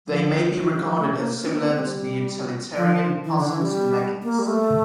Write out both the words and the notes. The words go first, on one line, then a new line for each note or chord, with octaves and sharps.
They may be regarded as similar to the utilitarian posends and negends.
F3
E3
G3
F3
A3
A#3
D4
A#3
C4
G3
F3
E3
D3
E3
G3
A#3
G3
A3